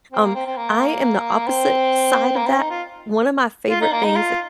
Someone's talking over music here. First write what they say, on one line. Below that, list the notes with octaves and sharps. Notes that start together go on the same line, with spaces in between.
um, I am the opposite side of that. One of my favorite things
C4
A#3
C4
C4
A#3
C4
A#3
C4
D#4
F4
F4
D#4
A#3
D#4
F4